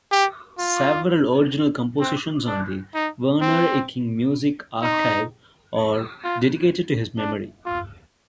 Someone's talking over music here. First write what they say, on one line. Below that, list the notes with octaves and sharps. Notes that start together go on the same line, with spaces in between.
Several original compositions on the Werner Icking Music Archive are dedicated to his memory.
G4
F4
C4
D4
D#4
C4
D#4
F4
D4
F4